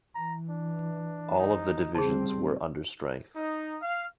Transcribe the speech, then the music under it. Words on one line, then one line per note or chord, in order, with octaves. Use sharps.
All of the divisions were understrength.
E3 A#5
D4
D#4
C#3 G3 C4 G#4 C5 A5
D#4
F5